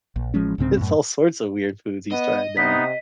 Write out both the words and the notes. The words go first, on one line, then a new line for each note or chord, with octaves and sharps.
it's all sorts of weird foods he's trying now.
A#1
A1 F3 G#3 C#4
C2 G#2 C#3 C4
F#2 A2
B3 D#5
C3 B3 D#4 B6